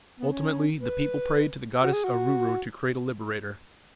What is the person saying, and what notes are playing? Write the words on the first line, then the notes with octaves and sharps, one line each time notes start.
Ultimately the people prayed to the goddess Aruru to create a liberator.
B3
C#4
B4
F#4
G#4
F#4